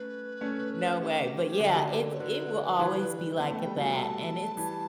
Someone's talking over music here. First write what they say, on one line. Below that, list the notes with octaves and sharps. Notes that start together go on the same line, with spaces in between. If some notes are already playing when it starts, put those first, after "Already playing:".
no way, but yeah, it it will always be like it that, and it's,
Already playing: A3 C#4 B4
A3 C#4
G4
D3 F#3
C#5
D3 F#3 B4
E3 G3
B3 B4
A3 A5
G5
G3
F#3 A3 A5
A5
E3 G3